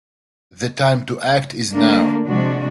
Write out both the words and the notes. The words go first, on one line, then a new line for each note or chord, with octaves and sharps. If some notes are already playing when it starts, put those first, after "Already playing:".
The time to act is now.
D3 A3 A#3 D4
C3 F3 G#3 D4 F#4